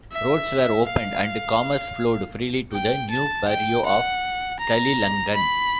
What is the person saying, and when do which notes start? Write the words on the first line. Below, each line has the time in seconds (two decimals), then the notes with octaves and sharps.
Roads were opened and commerce flowed freely to the new barrio of Kalilangan.
0.12 E5
0.86 F5
2.73 G5
3.11 A5
3.48 G5
3.85 F#5
4.60 A#5
5.34 B5